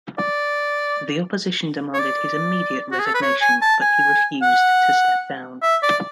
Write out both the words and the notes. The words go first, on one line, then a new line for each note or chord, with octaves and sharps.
The opposition demanded his immediate resignation but he refused to step down.
D5
C#5
D5
F#4
G#4
A4
B4
C#5
G#5
A5
G#5
F#5
E5
D5